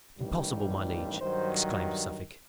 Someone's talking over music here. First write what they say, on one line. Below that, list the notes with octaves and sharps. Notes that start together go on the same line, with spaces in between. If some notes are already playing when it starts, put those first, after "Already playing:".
"Impossible, my liege?" exclaimed Suffolk.
A1 G2 D#3 G3
G2 D#3 F#3 C5